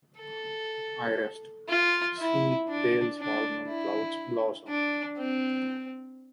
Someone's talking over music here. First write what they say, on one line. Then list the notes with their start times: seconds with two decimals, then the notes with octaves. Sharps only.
I rest: see pale salmon clouds blossom.
0.19 A4
1.68 F4
2.18 E4
2.68 D4
3.18 D4
3.68 E4
4.68 D4
5.18 C4